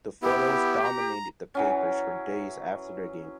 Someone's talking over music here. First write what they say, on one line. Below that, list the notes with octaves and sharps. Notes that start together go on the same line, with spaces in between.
The photos dominated the papers for days after the game.
B3 E4 G4
A#5
E3 F#3 C#4